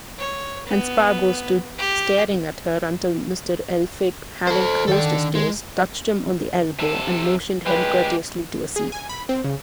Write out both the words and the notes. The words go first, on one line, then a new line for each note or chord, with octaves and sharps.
And Spargo stood staring at her until Mr. Elphick, having closed his doors, touched him on the elbow, and motioned him courteously to a seat.
C#5
B3
G4
A4 C5
D#3 D4 A4 G5
G#3
C3 A4
C#2 G#3 G4 B4
G#4
G#5
B5
C4
C#3